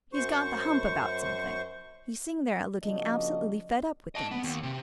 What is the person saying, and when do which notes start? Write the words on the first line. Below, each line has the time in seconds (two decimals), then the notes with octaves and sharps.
He's got the hump about something. He's sitting there looking absolutely fed up with things.
0.13 F#2 C5 C#6
2.83 C#3 F3 A#3 D4 F#4 D#5
4.15 D#5 A5
4.31 B3
4.44 D#2
4.63 C3